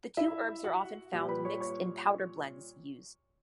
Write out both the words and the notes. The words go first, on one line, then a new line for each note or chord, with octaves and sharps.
The two herbs are often found mixed in powder blends used.
E4 E5
F#4 F#5
A#2 G3 G4 G5
B4 B5
C#5 C#6
C#5 C#6